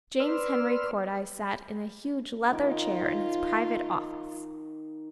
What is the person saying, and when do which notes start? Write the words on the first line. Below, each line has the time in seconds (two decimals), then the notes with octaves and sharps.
James Henry Cordyce sat in a huge leather chair in his private office.
0.20 B4 D5 C6 E6 F6
2.52 D#3 D#4 F4 D6